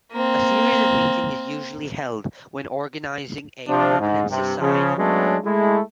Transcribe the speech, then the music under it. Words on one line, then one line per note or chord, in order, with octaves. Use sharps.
A series of meetings is usually held when organizing a permanent society.
A#3 C4
C3 F3 D4
G#2
G2 C3
C#3 F3
F#3 G#3 A3 B3 C#4 D4
G#3 A3 E4